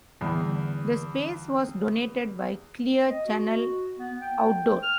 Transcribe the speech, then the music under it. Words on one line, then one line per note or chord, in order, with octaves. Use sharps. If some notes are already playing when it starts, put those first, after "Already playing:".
The space was donated by Clear Chanel Outdoor.
E2 D3 E3 G3
D#5
F#4
B3
G5
F6